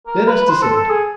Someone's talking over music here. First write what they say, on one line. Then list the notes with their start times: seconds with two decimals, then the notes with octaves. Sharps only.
Let us descend.
0.07 A#4
0.28 B4
0.49 C5
0.62 A4
0.76 A4
0.90 G#4